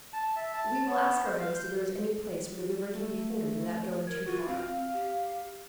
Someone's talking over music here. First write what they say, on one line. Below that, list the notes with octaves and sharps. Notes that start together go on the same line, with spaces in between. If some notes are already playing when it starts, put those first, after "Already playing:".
We will ask our host if there is any place where the river can be forded, without going too far up.
A5
E5
A5
B3
C5
F5
G6
A3
A#4 G#6
F4 F#4
C4 F5
G4